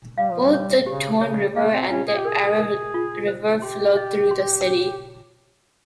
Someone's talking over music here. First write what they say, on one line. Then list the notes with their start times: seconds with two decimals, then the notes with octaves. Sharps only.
Both the Tone River and the Ara River flow through the city.
0.18 G3 F5
0.32 F3
0.44 G3
0.53 C#5
0.86 C#3 G4
1.21 C#3 C#5
1.55 A#3 F5
1.73 C4
1.90 C#4 F4
2.08 G#4
2.18 G4
2.25 G#4 A#4
2.59 A#4
2.94 F4
3.27 C5
3.62 G4 C6
3.97 D#5
4.31 C6
4.66 C#5